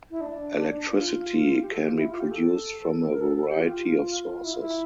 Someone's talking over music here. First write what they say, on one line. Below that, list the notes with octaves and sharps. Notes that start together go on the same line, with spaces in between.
Electricity can be produced from a variety of sources.
E4
D4
F4
G4
A4
G4
F4
E4
F4
G4
A4
A#4
A4
A4
G4
F4
F4
E4
F4
E4